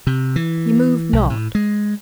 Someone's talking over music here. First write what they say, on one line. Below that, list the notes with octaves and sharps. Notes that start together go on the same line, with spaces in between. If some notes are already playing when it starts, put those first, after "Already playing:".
He moved not.
C3
E3
B1
A2
G#3